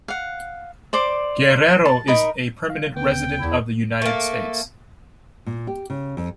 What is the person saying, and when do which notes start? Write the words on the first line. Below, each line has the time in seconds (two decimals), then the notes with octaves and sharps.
Guerrero is a permanent resident of the United States.
0.08 F5 F#5
0.93 C5 D5 C6 D6
1.85 A5
2.07 D#4 A#4 B5 D#6
2.70 F5
2.96 D2 B3 G5
3.39 E2 E4
4.02 A3 A#3
5.46 A#2
5.67 G4
5.90 C#3
6.17 F2